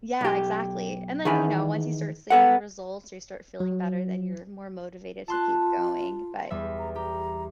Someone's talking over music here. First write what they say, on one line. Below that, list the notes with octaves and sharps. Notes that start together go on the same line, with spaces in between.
Yeah, exactly. And then, you know, once you start seeing the results or you start feeling better, then you're more motivated to keep going, but
B1 G4
D#3 E3 G#4 G#5 B5
B3 A4 F#5
F#3
F4 A5 C6 F#6
E2 G3 E5
A#5
G4 A#5